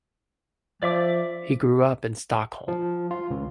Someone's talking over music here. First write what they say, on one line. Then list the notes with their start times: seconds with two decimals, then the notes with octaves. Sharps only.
He grew up in Stockholm.
0.83 F3 D5 E5 D6
2.68 F3
3.11 F4
3.31 C#2